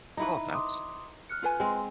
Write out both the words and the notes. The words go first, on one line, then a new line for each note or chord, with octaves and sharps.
Oh, that's
D#4 E4 B4
C6 D6 D#6
F6 F#6 C#7
F4 B4 G#5
G#3 C4